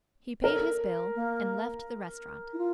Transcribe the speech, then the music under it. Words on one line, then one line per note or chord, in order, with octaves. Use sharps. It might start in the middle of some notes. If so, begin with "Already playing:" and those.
He paid his bill and left the restaurant.
A4 A#4
A#3
E4
F4